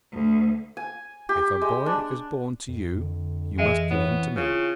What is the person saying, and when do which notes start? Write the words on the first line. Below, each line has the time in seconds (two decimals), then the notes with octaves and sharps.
If a boy is born to you, you must give him to me!'
0.12 D2
0.77 G#5
1.29 G4
1.61 G#3
1.86 D4
2.68 F2
3.01 D3
3.58 E3 G#3 D#5 E5
3.91 B3 C4 E4 C#5
4.36 C#3 F4